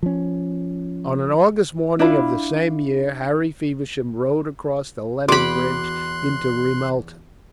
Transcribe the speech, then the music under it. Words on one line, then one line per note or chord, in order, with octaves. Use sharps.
On an August morning of the same year Harry Feversham rode across the Lennon bridge into Ramelton.
F3 C#4
D4 E4 F4 B5
E2 F#4 B5 C6 D6 D#6 F#6